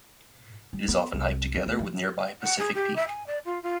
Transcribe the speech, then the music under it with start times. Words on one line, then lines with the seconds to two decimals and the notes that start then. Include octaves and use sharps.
It is often hiked together with nearby Pacific Peak.
0.73 G3
0.88 B3
1.13 C2
1.55 F2
1.66 D2
1.79 F3
2.41 F#5
2.58 G#4
2.74 G4
2.96 E5
3.07 G#5
3.26 D5
3.45 F4
3.62 F4